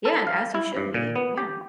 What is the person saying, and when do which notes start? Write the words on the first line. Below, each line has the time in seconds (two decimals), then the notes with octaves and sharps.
Yeah, and as you should be, yeah.
0.05 A4
0.27 F5
0.54 E4
0.77 G2
0.94 A#2
1.16 B3
1.38 G4